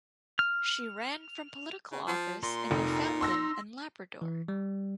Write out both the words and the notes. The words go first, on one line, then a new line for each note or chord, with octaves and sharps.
She ran from political office in Newfoundland and Labrador.
F6
C#3
F3
A#2 C6
F1 D#4
C6 E6 A#6
E3
G3